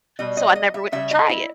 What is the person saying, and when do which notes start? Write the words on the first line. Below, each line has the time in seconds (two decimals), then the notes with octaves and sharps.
so I never would, eh, try it.
0.19 B2 G3 D#5
0.37 D#5
0.55 D#5
0.74 E5
0.92 C#3 G3 E5
1.11 D#5
1.29 E4